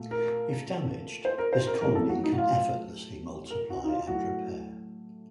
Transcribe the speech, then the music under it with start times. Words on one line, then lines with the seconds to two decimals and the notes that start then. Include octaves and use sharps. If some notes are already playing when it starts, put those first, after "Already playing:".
If damaged, this colony can effortlessly multiply and repair.
Already playing: A#2 A3
0.11 A#4
1.25 C5
1.38 A#4
1.53 C5
1.67 A#4
1.81 A2 F#3 A3 A#4
1.95 A4
2.09 F#4
2.24 D#4
2.33 F#4
2.38 F4
3.50 A#4
3.70 F#4
3.84 D#4
3.89 F4
4.07 A2 F#3 A3 F#4